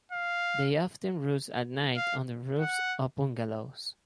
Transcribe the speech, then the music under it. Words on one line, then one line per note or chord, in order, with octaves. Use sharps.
They often roost at night on the roofs of bungalows.
F5
F5
F#5